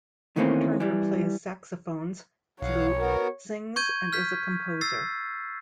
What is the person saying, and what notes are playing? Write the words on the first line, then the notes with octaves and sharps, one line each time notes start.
Turner plays saxophones, flute, sings and is a composer.
D#3 E3 A3 A#3 C4 C#4
E3 G3
B1 C#5 F5 F#5
B3 F#4 A#4
C#6 G6 G#6 D#7
F6 G6 B6
E6 A6 C7